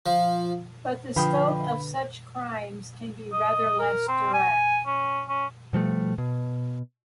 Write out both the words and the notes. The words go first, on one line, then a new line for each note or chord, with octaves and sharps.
But the scope of such crimes can be rather less direct.
F3
D3 F3 D4 B4 F5 G5 B5 D#6
D#5
A#4
C4
G#5
C#4
C#4
B2 F3 G3 A3
B2